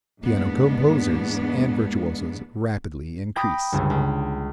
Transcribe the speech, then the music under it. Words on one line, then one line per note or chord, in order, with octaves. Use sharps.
Piano composers and virtuosos rapidly increase.
E2 G#2 G#3 A#3 B3 D4
G5 B5 D6 D#6 A#6 B6
G1 C#2
C#2